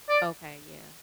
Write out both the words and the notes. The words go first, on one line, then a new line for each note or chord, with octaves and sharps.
Okay. Yeah.
D5